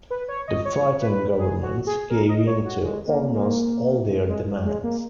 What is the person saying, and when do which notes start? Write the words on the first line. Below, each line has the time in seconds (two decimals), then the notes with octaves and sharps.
The frightened government gave in to almost all their demands.
0.10 B4
0.28 C#5
0.48 D#5
0.65 C#5
1.01 B4
1.38 G#4
1.62 F#4
1.87 G#4
2.10 A#4
2.29 D#5
2.47 C#5
2.65 F#4
2.83 G#3
3.07 A#3
3.32 A#3
4.28 G#3
4.65 G#3
4.84 A#3